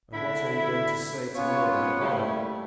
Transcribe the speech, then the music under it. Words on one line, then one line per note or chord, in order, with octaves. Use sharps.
"And what are you going to say to me about her?"
D3 E4
B3 C#4 F4 C#5
G3 A3 A#3 E4